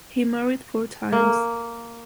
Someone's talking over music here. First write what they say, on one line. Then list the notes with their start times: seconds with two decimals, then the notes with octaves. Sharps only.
He married four times.
1.12 A#3